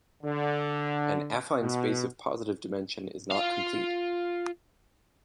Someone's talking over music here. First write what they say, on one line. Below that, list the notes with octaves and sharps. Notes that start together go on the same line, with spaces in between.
An affine space of positive dimension is not complete.
D3
B2
F4 F5